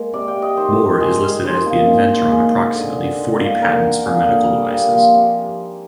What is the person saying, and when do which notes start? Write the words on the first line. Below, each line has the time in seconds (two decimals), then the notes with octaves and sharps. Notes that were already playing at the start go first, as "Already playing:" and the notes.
Mohr is listed as the inventor on approximately forty patents for medical devices.
Already playing: G#3 A#3
0.13 C3 D5
0.28 G5
0.35 C3
0.42 D#5
0.57 D#3 C5
0.79 D#3
1.00 G#3 G#4
1.22 G#3
1.44 D#3 C5
1.66 A#3
1.87 G#3
2.09 A#2
2.31 G#3 G#4
2.53 G#3
2.74 D3
2.96 D3
3.18 D#3
3.40 A#3
3.62 D3 A#4
3.84 D3
4.05 A#3 G#4
4.27 D3
4.49 G3
4.71 A#3
4.92 F3
5.14 C3